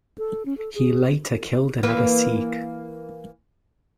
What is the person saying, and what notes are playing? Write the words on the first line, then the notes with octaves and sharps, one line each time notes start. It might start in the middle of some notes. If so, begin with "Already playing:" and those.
He later killed another Sikh.
A4
C#4
A4
G#4
E3 A#3 B4